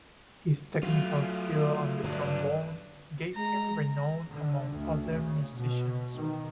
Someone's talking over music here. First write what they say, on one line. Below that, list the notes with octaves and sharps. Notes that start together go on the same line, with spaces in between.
His technical skill on the trombone gave him renown among other musicians.
F#3 A3 F4
G2 D3 F#3 D4
G#3 A#5
D3
D2
C#3
B2
D#3